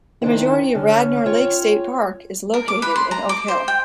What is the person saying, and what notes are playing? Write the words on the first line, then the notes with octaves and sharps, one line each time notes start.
The majority of Radnor Lake State Park is located in Oak Hill.
D#3 C4 D4 E4
D3 C#4
F4 C#5 G5
A#4
D6
B4
C6
A#5
D6
C5
G5